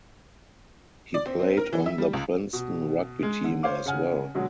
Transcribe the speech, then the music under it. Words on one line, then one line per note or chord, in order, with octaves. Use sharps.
He played on the Princeton rugby team as well.
D5
C4
C4
A#4
E3
E5
G3
C#2
B2
G#3
D3
C5 C#5 F5 D6
C#3 F#5 G#5 F6
B2 D3 F#3 G#3